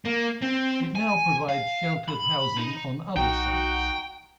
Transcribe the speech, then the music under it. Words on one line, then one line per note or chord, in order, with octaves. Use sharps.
It now provides sheltered housing on other sites.
A#3
C4
G#5
F5
B5
D#4
B1 D#4 F#4 G5